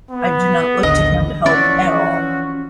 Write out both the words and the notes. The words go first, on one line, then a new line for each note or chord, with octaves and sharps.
I do not look to him to help at all,
B3
A1 D#2 D3 D#5
E3 F3 C#4 F#4 D5 E5